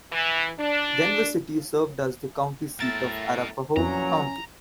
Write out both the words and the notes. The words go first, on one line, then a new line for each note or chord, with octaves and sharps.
Denver City served as the county seat of Arapahoe County.
E3
D4
A2 A#4 E5 A6
F2 A#2 E3 F#3 C#4 A#5